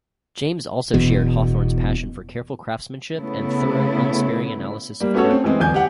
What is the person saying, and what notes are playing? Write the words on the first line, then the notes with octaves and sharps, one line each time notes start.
James also shared Hawthorne's passion for careful craftmanship and thorough, unsparing analysis of character.
E1 E2 B2
C#3 A3 B3 E4
G3 A#3
A3 B3 C#4 F#4 A4 C#5
C4
E3 G#3 C4
D1 E2 G#5 G6
G4 F#5